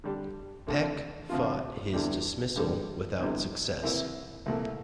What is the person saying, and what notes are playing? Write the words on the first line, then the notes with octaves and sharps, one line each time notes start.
Peck fought his dismissal without success.
D3 G3 D4 G4
F2 D3 A3 C4
D2 C3 F3 C4 F4
E2 D3 G3 D4
G2 D3 G3
E2 D3 G3
C2 C3 E3 A#3 E4
C2 A#2 A3